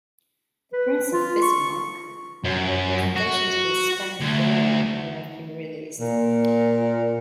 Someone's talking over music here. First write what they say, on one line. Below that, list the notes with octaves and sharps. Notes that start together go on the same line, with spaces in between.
The Prince of Bismarck made representations to the Spanish government to have him released.
B4
F4
C#6
F#2
F#4
D2
A#2